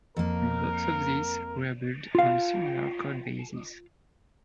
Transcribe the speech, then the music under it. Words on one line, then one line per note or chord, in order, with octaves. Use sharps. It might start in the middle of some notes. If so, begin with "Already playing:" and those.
Both of these were built on similar codebases.
F2 A#3 A#4
F4 F5